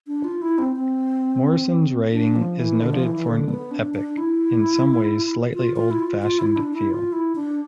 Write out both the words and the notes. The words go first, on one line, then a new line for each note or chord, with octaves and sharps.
Morrison's writing is noted for an epic, in some ways slightly old-fashioned feel.
D4
F4
E4
C4
C4
D4
F3
E3
D3
F3
E3
E3
D3
B3
D4
D4
E4
F4
F4
E4
F4
F4
E4
D4
E4
F4
E4
D4